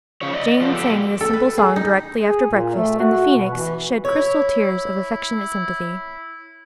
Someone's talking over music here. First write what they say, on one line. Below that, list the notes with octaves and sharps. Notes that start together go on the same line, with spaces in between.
Jane sang this simple song directly after breakfast, and the Phoenix shed crystal tears of affectionate sympathy.
C#3 F3 C#5
D5 D#5
F3 B3
A#2 F#4 G4 A4
A4
B4
G#4
D#4
G#4
A#2
A3
F#4
B2
E3
E4 C#5